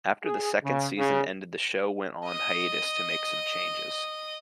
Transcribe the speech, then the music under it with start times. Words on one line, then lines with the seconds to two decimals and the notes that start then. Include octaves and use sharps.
After the second season ended the show went on hiatus to make some changes.
0.24 G#4
0.64 C#3
0.98 C#3
2.26 D#5 D#6